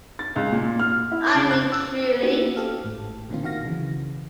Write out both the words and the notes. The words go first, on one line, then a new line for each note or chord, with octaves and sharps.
I mean truly.
A6
C#2
A#2
F6
E4
C#3
F#6
E6
A#3 B3 C#4 D#4 F#4 G4
G4 A4 F5
G#1 A2
A#2 D3 D#3 C4 F4
D#3 F#4 F5 A#6
B1 C#3 E3